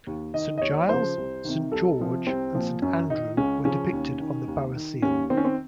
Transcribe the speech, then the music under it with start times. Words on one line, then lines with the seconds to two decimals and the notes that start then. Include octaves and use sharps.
Saint Giles, Saint George and Saint Andrew were depicted on the borough seal.
0.07 D#2
0.34 D#3 D#5
0.58 D#5
0.62 D#2 C#5
0.89 C#3 F3 C5
1.17 C2
1.45 C3 D#3
1.72 C2 A4
1.99 C3 F3
2.27 C2 C4
2.55 A#2 F3
2.82 F#2 C#4
3.10 D#3 D#4
3.37 C#2 C#4
3.65 C#3 F3 C#4
3.92 D#2
4.20 D#3
4.48 D#2
4.75 D#3
5.02 D#2 C#4
5.30 D#3 C4
5.37 C#4
5.45 C4